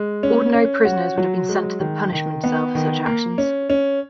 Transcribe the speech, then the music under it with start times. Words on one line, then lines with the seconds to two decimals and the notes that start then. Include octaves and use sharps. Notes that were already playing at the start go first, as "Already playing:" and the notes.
Ordinary prisoners would have been sent to the punishment cell for such actions.
Already playing: G#3
0.23 C#4
0.54 C#4
0.85 F#4
1.18 F#3
1.49 G#3
1.80 D#3
2.12 D#3
2.44 B3
2.75 D#3
3.06 A#3
3.38 C#4
3.70 C#4